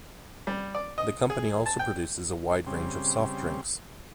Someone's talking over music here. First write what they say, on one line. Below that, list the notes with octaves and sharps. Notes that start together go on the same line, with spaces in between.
The company also produces a wide range of soft drinks.
G3
D5
D#5
G#4
A5
G5
C#3 G3 C4